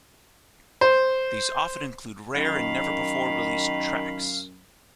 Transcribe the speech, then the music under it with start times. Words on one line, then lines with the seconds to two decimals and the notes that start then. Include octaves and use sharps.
These often include rare and never-before-released tracks.
0.81 C5
2.36 F#2 D#3 F5 B5